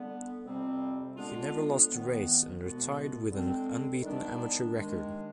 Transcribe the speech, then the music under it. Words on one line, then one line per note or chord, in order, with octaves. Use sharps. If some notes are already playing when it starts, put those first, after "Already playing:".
He never lost a race and retired with an unbeaten amateur record.
Already playing: D3 G3 B3
F2 C3 G3 C4
D3 G#3 B3 D4 F4
F2 D#3 B3
C2 B2 G#3 B3
D3 G#3 C4
D#3 G3 B3 D4
D#2 D#3 G#3 D4